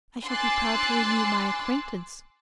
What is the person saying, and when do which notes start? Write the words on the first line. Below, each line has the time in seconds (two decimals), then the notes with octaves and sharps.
"I shall be proud to renew my acquaintance."
0.24 G#5 C6 D6 E6 F#6 A6